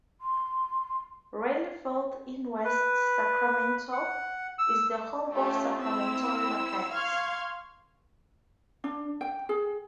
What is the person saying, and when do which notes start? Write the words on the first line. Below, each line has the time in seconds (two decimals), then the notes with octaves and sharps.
Raley Field in West Sacramento is the home of Sacramento River Cats.
0.21 C6
2.65 B4
3.92 F#5
4.58 E6
5.32 A3 C#4 F4 G4
5.80 C4 E4 E6
6.92 F5 C6 C#6 F6 G#6
8.84 D4
9.21 G5
9.49 G#4